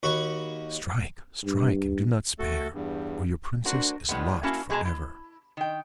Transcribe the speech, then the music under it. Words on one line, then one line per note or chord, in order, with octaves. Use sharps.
"Strike! strike! and do not spare, or your Princess is lost for ever!"
D#2 F#4 B5 C#6
G2
A3 F#4 A4
E2 G2
A3 D4 F#4 A#4 C5
A2 D3 F3 G3 G#3 B3
A#3 C#4 E4 F#4 A5
B2 G#3 G#4 A#4 A5 A#5
E4
D#3 G5